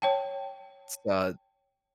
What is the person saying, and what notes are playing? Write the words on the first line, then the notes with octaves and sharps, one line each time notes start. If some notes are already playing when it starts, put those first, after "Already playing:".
It's, uh,
C#5 G5 A5